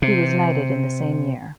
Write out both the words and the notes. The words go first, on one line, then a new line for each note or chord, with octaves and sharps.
He was knighted in the same year.
C3